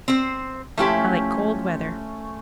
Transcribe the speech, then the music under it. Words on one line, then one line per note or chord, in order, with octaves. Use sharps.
I like cold weather.
C4 C5
F3 A3 C#4 E4 G4 C6